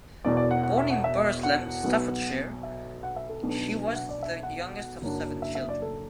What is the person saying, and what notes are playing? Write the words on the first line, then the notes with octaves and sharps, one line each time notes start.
Born in Burslem, Staffordshire, she was the youngest of seven children.
E1 E2 B2 D5
D5
F#5
F#5
E5
F#5
E5
F#5
B1 B2 B3
E5
F#5
E5
A4
B1 B2 B3 D4
E5
F#5
D5
E5
F#5
F#1 F#2 F#3 D4
E5
E5
D5
A4